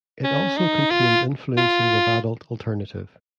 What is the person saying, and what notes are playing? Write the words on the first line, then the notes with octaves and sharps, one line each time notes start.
It also contains influences of adult alternative.
C#4
D#4
F4
F4